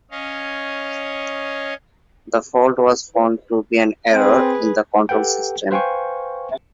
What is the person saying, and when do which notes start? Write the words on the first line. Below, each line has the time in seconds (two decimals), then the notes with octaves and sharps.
The fault was found to be an error in the control system.
0.11 C#4 C#5 D#5 F5
4.14 C4 G#4 B4
5.09 G4 A4 B4 F#5 G5
5.71 B4 C5 F5 G5 G#5 C#6